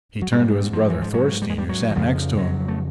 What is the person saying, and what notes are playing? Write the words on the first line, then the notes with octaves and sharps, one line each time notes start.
He turned to his brother Thorstein who sat next to him.
F#3
G#2 G3
F3
E3
F3
F#3
G3
G#3
G3
F#3
E3
F2 C#3 F3
F#3
A3